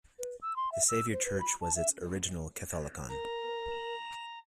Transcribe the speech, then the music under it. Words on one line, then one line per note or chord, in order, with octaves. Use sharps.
The Saviour Church was its original katholikon.
B4
E6
C6
E5
E6
C5
B4
B5
A5
E5
A#4 A#5